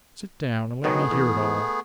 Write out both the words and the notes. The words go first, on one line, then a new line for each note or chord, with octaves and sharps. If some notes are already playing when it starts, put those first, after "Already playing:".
Sit down, and let me hear it all.
B2 D#3 F#3 A3 B3 G#4
E2